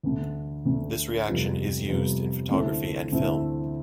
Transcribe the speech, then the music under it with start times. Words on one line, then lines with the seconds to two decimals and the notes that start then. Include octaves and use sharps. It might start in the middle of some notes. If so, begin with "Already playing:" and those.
This reaction is used in photography and film.
0.03 D2 D3 A3
0.65 D2 D3 A3
1.27 F2 C3 G3 B3 F4
1.88 F2 C3 G3 B3 F4
2.50 D2 D3 A3 C4 E4
3.11 D2 D3 A3 C4 E4